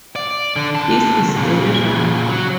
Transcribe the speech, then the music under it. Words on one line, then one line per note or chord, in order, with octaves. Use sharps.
This is very rare.
D5
D3
C#3 A5
A#2 C#3
F#3